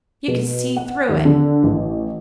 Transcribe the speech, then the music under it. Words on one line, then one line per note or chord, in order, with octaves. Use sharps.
"You could see through it."
B2
F#5
D#2
D3
A1